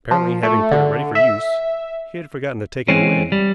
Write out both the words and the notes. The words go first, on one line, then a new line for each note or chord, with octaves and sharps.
Apparently, having put it ready for use, he had forgotten to take it away.
F3
A3
D3
E5
E3 G#3 C4 C#4
G3